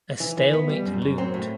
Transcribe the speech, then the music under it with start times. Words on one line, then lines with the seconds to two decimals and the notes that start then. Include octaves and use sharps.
A stalemate loomed.
0.20 E3
0.37 E3
0.53 B3
0.69 G3
0.85 F#2
1.02 F#2
1.18 F#3 C4
1.34 A2